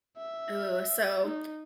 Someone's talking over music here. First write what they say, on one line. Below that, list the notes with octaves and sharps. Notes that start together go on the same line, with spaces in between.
Ooh, so,
E5
D#4